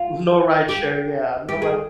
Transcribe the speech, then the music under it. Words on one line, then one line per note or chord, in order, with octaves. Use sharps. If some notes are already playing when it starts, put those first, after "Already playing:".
no rideshare, yeah, no ri
Already playing: F4
G4
G4
G#4